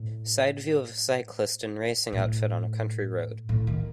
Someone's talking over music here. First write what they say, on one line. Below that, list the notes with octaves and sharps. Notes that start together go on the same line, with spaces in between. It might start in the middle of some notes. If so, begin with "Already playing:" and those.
Side view of a cyclist in racing outfit on a country road.
Already playing: A2
A2
A2
D#3